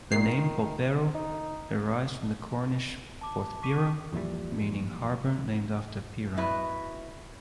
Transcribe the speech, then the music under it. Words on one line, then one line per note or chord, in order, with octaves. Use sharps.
The name Polperro derives from the Cornish "Porthpyra", meaning "harbour named after Pyran".
A#2 D#3 C7
D#4
A5 D6
C#6 D6 B6 D#7
F2 A#2 E3 G3
B2 E4 B4